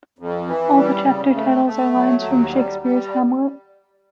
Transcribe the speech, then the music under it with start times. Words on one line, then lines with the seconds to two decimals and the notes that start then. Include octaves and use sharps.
All the chapter titles are lines from Shakespeare's "Hamlet".
0.19 F2
0.48 E3
0.77 G3
1.05 C#3
1.35 A3
1.65 A3
1.94 F#3
2.23 D#2
2.52 G3
2.82 G3